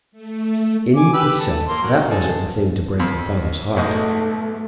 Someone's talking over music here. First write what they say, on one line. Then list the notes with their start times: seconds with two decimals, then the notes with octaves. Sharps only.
In itself that wasn't a thing to break her father's heart.
0.12 A3
0.96 G#5 D6
1.13 G4 B4 E6
1.39 A4
1.68 A#3 C6
1.83 F#3 A#3
2.10 G#4 A4
3.00 F2
3.76 B1 G#2 A3 D#5